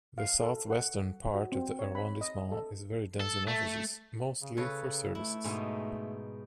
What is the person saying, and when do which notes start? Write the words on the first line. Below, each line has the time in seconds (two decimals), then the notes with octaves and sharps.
The southwestern part of the arrondissement is very dense in offices, mostly for services.
0.18 F5
0.40 A4
0.70 F#5
1.35 F#4
1.52 C4
1.79 C#5
1.95 B5
2.21 D#5
2.52 A4
3.20 A4
3.48 A3
4.42 C#3
4.57 C#3 A4 B4 C#5
5.15 A3 E4
5.44 G#2 B2 D#4